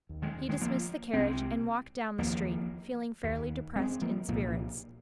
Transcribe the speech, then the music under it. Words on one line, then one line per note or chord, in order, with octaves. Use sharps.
He dismissed the carriage, and walked down the street, feeling fairly depressed in spirits.
D#2
D#3 G#3
D#3 G#3
F3 A#3
C2 C3 G#3 C4
D#2 F3 A#3
D#2
G#3 C4
F3 A#3
C2 A#2 F3 A#3